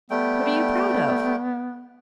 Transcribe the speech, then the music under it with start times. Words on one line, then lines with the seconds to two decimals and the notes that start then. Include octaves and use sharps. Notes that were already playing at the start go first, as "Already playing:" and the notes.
What are you proud of?
0.10 G3 A3 B3 G5